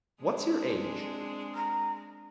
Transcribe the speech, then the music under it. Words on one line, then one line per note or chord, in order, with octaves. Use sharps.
What's your age?
G#3 C4 D4
A#5